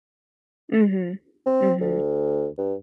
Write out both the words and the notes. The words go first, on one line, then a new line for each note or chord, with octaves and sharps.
Mhm, mhm.
C4
D2
G2